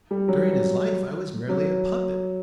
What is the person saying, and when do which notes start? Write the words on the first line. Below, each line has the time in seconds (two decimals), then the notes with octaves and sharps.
During his life I was merely a puppet.
0.11 G3
0.28 F#3
1.49 F#3